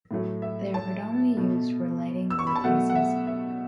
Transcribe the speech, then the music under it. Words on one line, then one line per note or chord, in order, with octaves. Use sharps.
They are predominantly used for lighting workplaces.
A2 F#3 A3
E5
A5
B2 A3
E6
C#6
B5
A5
B2 F#3 A3 F#5
F#5
E5
E5